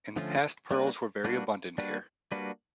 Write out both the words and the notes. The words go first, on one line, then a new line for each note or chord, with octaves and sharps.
In the past pearls were very abundant here.
D3 F3 A3 C#4 F4
G3 A#3 D4 F#4 B4
G3 A#3 D4 F#4 B4
G3 A#3 D4 F#4 B4
G3 A#3 D4 F#4 B4